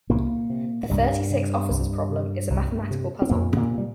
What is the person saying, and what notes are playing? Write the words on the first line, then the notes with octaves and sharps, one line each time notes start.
The thirty-six officers problem is a mathematical puzzle.
C2 A#2 A#3
C3
A#3
C2 G2 G3
C3
C2
C3
C2
C3
C4
F2 A#2 A#3
A#2 A#3
C3
G3